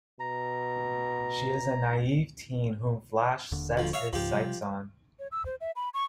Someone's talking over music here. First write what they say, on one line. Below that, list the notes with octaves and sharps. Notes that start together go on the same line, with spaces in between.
She is a naive teen whom Flash sets his sights on.
B2 A#5
D#1 D#2 D3
D2 F3
C#5 E5 F5
C#2 G#2 F3 G4
C3 G3
C#5
E6
C5
E5
B5
C#6